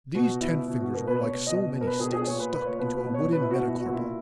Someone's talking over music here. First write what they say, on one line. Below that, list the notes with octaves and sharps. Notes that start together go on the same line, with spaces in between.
These ten fingers were like so many sticks stuck into a wooden metacarpal.
B2 F#4
B2 E4
B2
F#4
B2 A#4
B4
B2 C#5
B2 D#5
B2
A#4
B4
B2 G#4
G#4
A#2 C#5
B4
A#2 B4
C#5
B2 B4
B4
B2
C#5
B2 B4
E4
F#4
B2
E4
F#4
A#2
E4